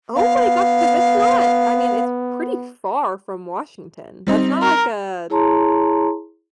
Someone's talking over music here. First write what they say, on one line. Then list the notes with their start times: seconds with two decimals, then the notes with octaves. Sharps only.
Oh my gosh, 'cause it's not I mean, it's pretty far from Washington, that's not like a
0.15 B3 F5
4.27 G3 C4 D#4
4.62 A#4
5.30 E4 G#4 C#5 A5 A#5 C6